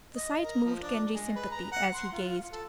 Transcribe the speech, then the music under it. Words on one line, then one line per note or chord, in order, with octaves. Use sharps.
The sight moved Genji's sympathy as he gazed.
D#5
A#4
F3
D4
G#3
B4
A#5
F#5
C6
F4
A4